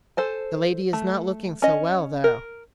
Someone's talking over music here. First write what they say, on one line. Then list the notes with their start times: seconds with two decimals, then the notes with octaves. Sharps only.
The lady is not looking so well, though.
0.17 A4 C5 G#5
0.93 A3
1.62 C#4 D#5
2.24 A#4